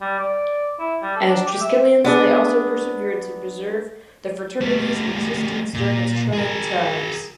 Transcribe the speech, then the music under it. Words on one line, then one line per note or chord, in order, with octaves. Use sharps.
As Triskelions they also persevered to preserve the fraternity's existence during its trying times.
G3
D5
E4
G3
A4
D4
G4
E5
B3 D4 G#4
G3 A3
A#2
G#4 A#4